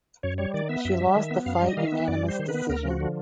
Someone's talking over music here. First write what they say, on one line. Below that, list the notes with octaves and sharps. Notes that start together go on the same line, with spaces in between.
She lost the fight unanimous decision.
F#2 C#5
G3 C#5
D#3 D5
B3 E5
F#2 E5
G3
D#3
B3
F#2 F5
G3
D#5
D#3 F5
E5
B3
F#2 D5
G3
C5
D#3
B4
B3
D2 A#4
F3 F#4
D3